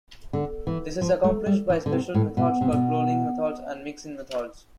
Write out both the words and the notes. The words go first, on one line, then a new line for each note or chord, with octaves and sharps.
This is accomplished by special methods called "cloning" methods and "mixin" methods.
D3
E3
F3
A3
G3
E3
D3
C3
A2
B2
C3
B2